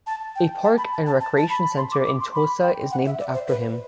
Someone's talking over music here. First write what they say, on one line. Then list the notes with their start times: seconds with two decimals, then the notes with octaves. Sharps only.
A park and recreation center in Tulsa is named after him.
0.07 A5
0.36 G5
0.64 A5
0.78 B5
0.92 A5
1.06 A5
1.21 A5
1.37 A5
1.49 B5
1.77 C6
1.92 D6
2.05 D6
2.20 C6
2.35 B5
2.63 G5
2.91 F#5
3.06 E5
3.19 D5
3.34 C5
3.48 B4